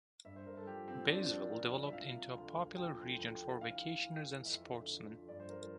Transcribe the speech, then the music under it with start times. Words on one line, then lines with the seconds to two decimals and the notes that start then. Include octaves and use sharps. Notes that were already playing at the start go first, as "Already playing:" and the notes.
Baysville developed into a popular region for vacationers and sportsmen.
0.25 G2 E5
0.36 C5
0.46 G2 A#4
0.57 A4
0.67 F3 G4
0.88 F3 C4
1.09 F3 D4
1.20 C4
1.30 F3 D4
1.40 A#4
1.51 F3 A#4
1.72 C2
1.87 E5
1.93 F3 F5
2.13 C3
2.35 D2
2.56 D2
2.77 F3 G5
2.98 D2
3.19 D2
3.40 D3
3.60 E3 F5
3.82 E3
4.03 E3
4.24 E3
4.44 F2 E5
4.66 D3
4.86 D3
5.08 F3
5.28 G2 D5
5.40 C5
5.50 F3 A#4
5.61 A#4